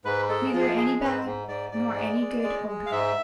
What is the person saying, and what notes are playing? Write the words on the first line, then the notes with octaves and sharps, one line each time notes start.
Neither any bad, nor any good odor.
G#2 B4
G#3 A4
F3 F4
G#4
F4
G#3 G#4
G#2 B4
G#2
G#2 D5
G#2 D5
G#3
G#3
G#3
G#3
F5
G#2 E5